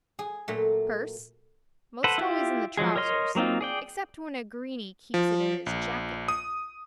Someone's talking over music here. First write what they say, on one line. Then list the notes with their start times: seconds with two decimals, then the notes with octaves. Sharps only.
Purse--most always in the trousers, except when a greeny keeps it in his jacket.
0.19 G#4 G#5
0.48 A#2 F#3 A3
2.04 A4 B4 C5 F#5
2.18 E4 F4 G4
2.77 F3 F#3 G#3 G#4
2.96 A#4 C#5 D#5 C6 F6
3.35 F#3 A#3 C4 D#4 F4
3.61 G#4 D5 G5
5.14 F3
5.66 A#1
6.28 D#6